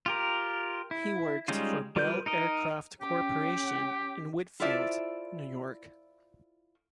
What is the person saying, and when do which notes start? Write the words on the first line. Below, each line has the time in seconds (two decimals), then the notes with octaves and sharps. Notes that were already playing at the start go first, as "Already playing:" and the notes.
He worked for Bell Aircraft Corporation in Wheatfield, New York.
0.06 F4 G4 A#4
0.91 E4
1.48 G3 G#3 C#4 D#4 F4
1.96 G3 F4 A#4 B4 G6
2.26 D#4 A#4 D#5
3.02 C#4 G4 G5
4.60 E4 F4 A4 C5 D5 E5